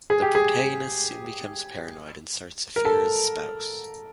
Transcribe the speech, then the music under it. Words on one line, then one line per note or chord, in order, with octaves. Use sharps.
The protagonist soon becomes paranoid and starts to fear his spouse.
G#4
G4
G#4
A#4
A4